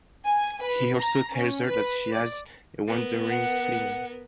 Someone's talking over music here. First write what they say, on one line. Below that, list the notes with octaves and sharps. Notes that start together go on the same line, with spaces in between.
He also tells her that she has a wandering spleen.
G#5
B4
A#5
C#4
B4
D5
B3 A#4
F#5